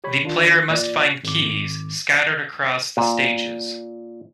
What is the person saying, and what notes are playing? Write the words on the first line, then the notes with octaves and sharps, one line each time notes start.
The player must find keys scattered across the stages.
G4 C#5 B5
D#3 D4 F4
A1 A#2 D5 A#6
G#1 D6
A#2